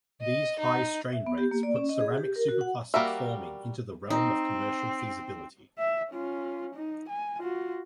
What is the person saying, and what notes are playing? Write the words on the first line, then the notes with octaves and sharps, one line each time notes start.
These high strain rates put ceramic superplastic forming into the realm of commercial feasibility.
D#5
D#4
E5
B3
G4
A#3
D5
C#4
D#5
G#4
G4
A#4
F#4
F#5
G3 A#3 F#4 A#4 E5
C4 D#4
E5
C#4 F4
D#4
G#5
F4 F#4